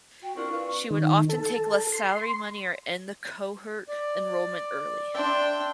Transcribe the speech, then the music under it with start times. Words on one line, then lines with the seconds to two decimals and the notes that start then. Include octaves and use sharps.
She would often take less salary money or end the cohort enrollment early.
0.22 F#4 G5
0.36 C4 D4 E4 F4 A#4 C#6
0.53 B4 F5
0.67 C#6
0.90 D#3
1.29 A4
1.92 C6
3.88 D5
5.14 D4 C5 E5 G5